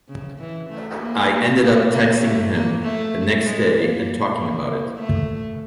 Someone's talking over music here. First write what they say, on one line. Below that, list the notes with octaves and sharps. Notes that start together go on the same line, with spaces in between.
I ended up texting him the next day and talking about it.
C#3
E3
A3
A#3
A#3
A#3
A#3
A3
A#3
A3
G#3
A#3
A#3
A3